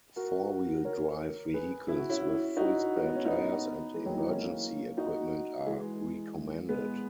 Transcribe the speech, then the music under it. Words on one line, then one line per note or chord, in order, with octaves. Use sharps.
Four-wheel drive vehicles with full spare tires and emergency equipment are recommended.
F#4 A#4
A#4 C#5
G#4 B4
E4
F#4
C#4 E4
D#4 F#4
B3
C#4
B3 D#4
E3 G#3
D#3 F#3
E3
A#3 C#4
D#4 F#4
E3 G#3
G#3 B3